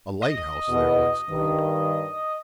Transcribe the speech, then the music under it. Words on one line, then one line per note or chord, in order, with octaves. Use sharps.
"A lighthouse!" they all exclaimed.
D#5
E2 B2
G2 D#3